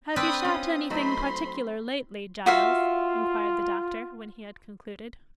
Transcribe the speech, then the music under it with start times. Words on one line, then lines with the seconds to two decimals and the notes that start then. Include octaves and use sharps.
'Have you shot anything particular, lately, Giles?' inquired the doctor, when he had concluded.
0.16 C4 D4 B4 B5 D#6
0.45 C#4 F4 D#6
0.90 F#3 A3 D#4 C5 B5 C6
2.46 F4 F#4 E5 F5